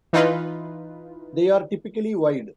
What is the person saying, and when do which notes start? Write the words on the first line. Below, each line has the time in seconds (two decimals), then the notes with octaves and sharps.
They are typically - wide.
0.13 E3 D#4 F4 B4